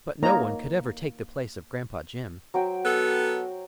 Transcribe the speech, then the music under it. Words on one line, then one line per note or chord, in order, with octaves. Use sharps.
But no one could ever take the place of Gran'pa Jim.
A#3 D#4 A#4 C#5 A#5
F#3 C5 G5
B3 A4